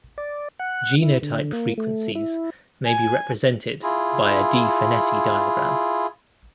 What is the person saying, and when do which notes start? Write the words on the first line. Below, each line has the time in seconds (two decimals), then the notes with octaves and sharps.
Genotype frequencies may be represented by a De Finetti diagram.
0.18 D5
0.59 F#5
1.02 E4
1.22 D3
1.53 A#3
1.78 A3
2.15 E4
2.85 G#5
3.83 E4 F4 G#4